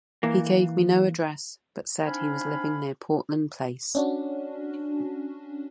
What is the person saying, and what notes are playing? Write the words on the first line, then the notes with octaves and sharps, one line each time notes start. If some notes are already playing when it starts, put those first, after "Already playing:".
He gave me no address, but said he was living near Portland Place.
E3 A#3
C4 D4 D#4 F5 G#5 B5
C#4 D4 F#4